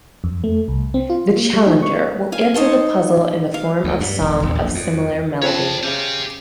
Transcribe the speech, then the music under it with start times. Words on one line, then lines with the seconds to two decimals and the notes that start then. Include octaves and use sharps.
The challenger will answer the puzzle in the form of song of similar melody.
0.24 F2
0.44 A3
0.68 C2
0.94 C4
1.10 F4
1.37 A#3
1.54 G3
1.66 D#4
1.82 C#6
2.32 F5 G#5
2.54 D#4 C#5 A5 C6
3.54 F5
3.84 D2
4.01 G2
4.21 E1
4.42 D#1
4.55 A#1
4.75 F2
5.42 F2 C#5 A5
5.83 C#3 G4 C5